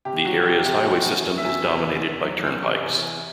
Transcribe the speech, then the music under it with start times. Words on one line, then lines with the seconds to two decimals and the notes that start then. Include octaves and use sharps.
The area's highway system is dominated by turnpikes.
0.05 C3 G4
0.25 F#3 F#4
0.46 F#3 G4
0.65 C3 G4
0.85 E2 F#4
1.04 E2
1.25 E2
1.38 E5
1.45 E2
1.64 C3
1.84 E2
2.03 E2
2.24 F#3
2.44 E2
2.64 C3
2.83 E2
3.03 E2